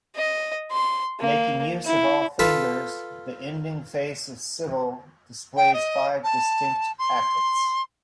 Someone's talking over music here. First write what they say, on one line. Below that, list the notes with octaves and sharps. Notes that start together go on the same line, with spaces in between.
Making use of all fingers, the ending face of Sybil displays five distinct packets.
D#5
C6
A#3
E4
F4 A4 B4
G5
D#5
A5
C6